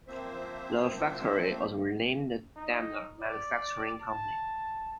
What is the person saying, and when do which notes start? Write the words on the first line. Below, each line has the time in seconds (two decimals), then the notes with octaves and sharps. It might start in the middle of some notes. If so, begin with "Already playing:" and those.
The factory was renamed Daimler Manufacturing Company.
0.08 F3 A#3 C4 C5 E5
2.57 D#4
3.21 D5
4.02 A5